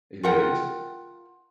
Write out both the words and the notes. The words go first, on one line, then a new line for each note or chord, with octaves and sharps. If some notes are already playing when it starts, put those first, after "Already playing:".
It is.
F4 A#4 F#5 G5